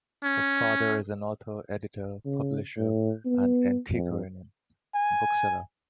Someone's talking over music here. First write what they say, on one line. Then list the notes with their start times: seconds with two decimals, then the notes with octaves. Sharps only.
Her father is an author, editor, publisher, and antiquarian bookseller.
0.24 C#4
2.25 C#3
2.77 A2
3.26 B3
3.93 F2
4.95 G#5